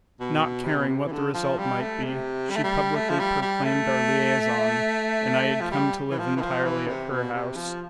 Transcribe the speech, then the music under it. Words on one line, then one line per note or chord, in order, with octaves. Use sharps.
Not caring what the result might be, she publicly proclaimed our liaison, and I had come to live entirely at her house.
B2
C3
B2
C3
E3
D3
F3
G3
A3
C3
G3
A3
G3
A3
F3
G3
G3
A3
F3
G3
E3
F3
E3
F3
E3
C3
B2
C3
F3